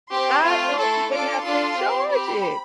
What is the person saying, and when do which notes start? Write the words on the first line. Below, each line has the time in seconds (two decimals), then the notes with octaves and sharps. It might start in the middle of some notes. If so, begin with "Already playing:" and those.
I don't even have to charge it!
0.11 C4 G4 C6
0.44 A3 C4 F4
0.77 A3 E4 A4
1.10 D4 F4 A4 D6
1.43 D4 F4 A4 C6
1.76 C4 G4
2.09 C4 G4 B5